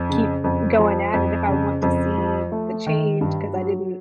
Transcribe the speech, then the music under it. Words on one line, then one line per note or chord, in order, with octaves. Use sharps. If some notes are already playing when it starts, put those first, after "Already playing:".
keep going at it if I want to see the change 'cause I didn't
Already playing: F2
C#3
F2
F3
F2
C#3
F2
F3
A3
D#3
G2
F#3